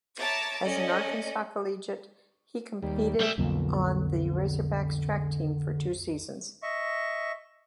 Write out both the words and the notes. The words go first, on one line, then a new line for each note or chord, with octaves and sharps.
As an Arkansas collegiate, he competed on the Razorbacks' track team for two seasons.
C#5 E5 A5 A#5 D6 A6
C#4 A4 D5 D#5
D#2 G3
G3 E5
B1 F2 D3 A#3
D#5 E5 C#6